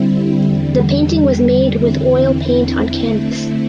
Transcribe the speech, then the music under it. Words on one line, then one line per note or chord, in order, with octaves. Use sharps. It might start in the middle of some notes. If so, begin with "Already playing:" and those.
The painting was made with oil paint on canvas.
Already playing: D3 G3 C4 E4
E2 D3 G3
E2 D3 C4 E4
D3 A3 C4 E4